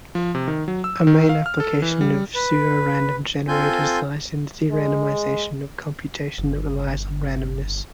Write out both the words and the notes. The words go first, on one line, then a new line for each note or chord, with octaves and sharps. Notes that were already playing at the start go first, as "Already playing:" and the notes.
A main application of pseudorandom generators lies in the de-randomization of computation that relies on randomness.
F3
C3
D#3
F#3
E6
D#3
F5
F6
A4
E3
G3
B4
C4 F4 A4 G#5 G6
G#3
G1